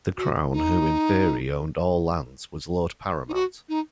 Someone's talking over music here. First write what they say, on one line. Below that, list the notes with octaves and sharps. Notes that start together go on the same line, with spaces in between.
The Crown, who in theory owned all lands, was "lord paramount".
F#4
D#4
D#4
F#4
D#4